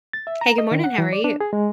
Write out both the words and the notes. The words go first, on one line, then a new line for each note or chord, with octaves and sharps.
Hey, good morning, how are you?
A6
E5
A#5
D#5
D#3
F#5
E3
D5
D4
G#4
G#3